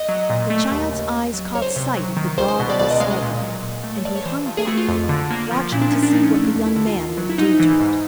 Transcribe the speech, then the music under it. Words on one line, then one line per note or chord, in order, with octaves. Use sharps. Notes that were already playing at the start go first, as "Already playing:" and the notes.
The child's eyes caught sight of the dog on the sidewalk, and he hung back, watching to see what the young man would do to it.
Already playing: D#5
F#3
A#2
A3
D#2
C#3
D#2
F#3
C#2 C#5
C5
C#5
C3
F#3
D#3
C#2 C5
C5
B2
D5
C#2 D5
D#5
G#3 F5
D#5
A#2
F#3
A#2
A3
C#5
G2 D5
C#5
E3 C5
G2 F4
G#4
A3 F#4
F4
F2
D3
A#3
F3
A#2 E4
D4
F3 C#4
D4
A#2 D#4
C#4
A3 C#4
D4
D#2
E4
D3 E4
F4
D#2
F#3
E4
G#2 D#4
E3
G#2